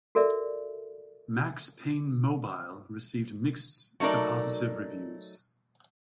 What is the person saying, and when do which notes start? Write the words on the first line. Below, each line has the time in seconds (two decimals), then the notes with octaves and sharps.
"Max Payne Mobile" received mixed to positive reviews.
0.15 F#4 A4 A#4 D5 E5
4.00 F#3 A3 D#4 A#4 D5